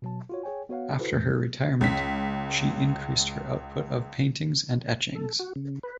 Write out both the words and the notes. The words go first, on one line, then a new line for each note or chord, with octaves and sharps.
After her retirement she increased her output of paintings and etchings.
B2 F#3 A5
F4 F#4 C#5
G#4 C#5 G5 G#5
B3 F#4 C#5 F5 F#5
E4 F#4 A4 B4 C5
F2 E3 A3 G6
C#2 B6
A4
F#4
C#3
B4